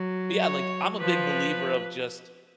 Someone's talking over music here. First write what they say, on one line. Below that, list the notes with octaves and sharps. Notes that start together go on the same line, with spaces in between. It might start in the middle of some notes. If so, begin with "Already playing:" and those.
but yeah, like, I'm a big believer of just
Already playing: F#3
C#5
F3 B4